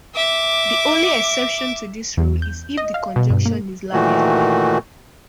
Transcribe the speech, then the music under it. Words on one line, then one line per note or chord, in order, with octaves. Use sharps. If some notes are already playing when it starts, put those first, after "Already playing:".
The only exception to this rule is if the conjunction is labial.
E5 D6
E2
G6
D#5
F5
B2
G2
A#3
A#2 D#3 E3 A3 F#4